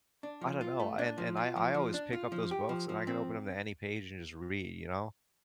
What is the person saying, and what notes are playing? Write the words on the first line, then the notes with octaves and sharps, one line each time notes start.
I don't know, I and and I I always pick up those books, and I can open 'em to any page and just read, you know?
D4
F3
F4
A3
D4
F3
F4
F3
F3
D4
F4
F3
G4
F3
F3
C4